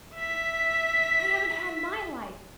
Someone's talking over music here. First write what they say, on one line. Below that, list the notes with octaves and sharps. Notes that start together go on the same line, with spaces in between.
I haven't had my life.
E5 B6